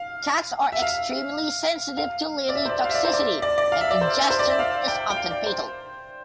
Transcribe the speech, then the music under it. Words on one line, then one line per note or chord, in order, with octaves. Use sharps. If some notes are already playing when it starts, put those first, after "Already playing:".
Cats are extremely sensitive to lilly toxicity and ingestion is often fatal.
Already playing: F5
E5
F5
F5
D5
E5
C5
D5
F5
E5
D5
C5
D5
D5
D5
F5
E5
D5
C5
C5
D5
E5
F5
G5
G5
F5
D5
C5